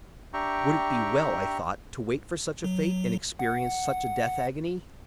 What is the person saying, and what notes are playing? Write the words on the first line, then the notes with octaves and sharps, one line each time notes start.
Would it be well, I thought, to wait for such a fate, and experience such a death-agony?
D4 G4 E5 G5 A#5 C#6
F#3
F#5